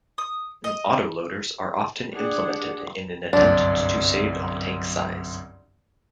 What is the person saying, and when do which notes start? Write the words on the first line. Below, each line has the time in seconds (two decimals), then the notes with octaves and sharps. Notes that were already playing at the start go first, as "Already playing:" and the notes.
Autoloaders are often implemented in an attempt to save on tank size.
0.18 D#6
0.64 D#5
2.12 D4 G4 G#4 D5 F#5 A5
3.33 G1 C2 F#2 D4